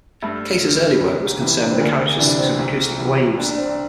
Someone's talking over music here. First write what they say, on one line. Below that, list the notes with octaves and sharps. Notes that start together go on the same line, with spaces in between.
Kayser's early work was concerned with the characteristics of acoustic waves.
G2 A3
D3
C2
C3 E3
D4
C4
D2 A#3
C3 E3 D4
C4
C2
C3 E3
C2 D4
D4
C4